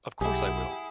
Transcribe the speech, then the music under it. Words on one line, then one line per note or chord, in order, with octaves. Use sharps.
Of course I will!
B1 E4 G4 G#4 F#5